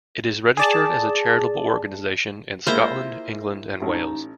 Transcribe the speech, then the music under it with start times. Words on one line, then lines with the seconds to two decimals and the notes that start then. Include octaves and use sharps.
It is registered as a charitable organisation in Scotland, England and Wales.
0.57 G#4 D5 A5
2.67 G#3 A#3 E4 F4 C5 A#5
3.82 A1 D#4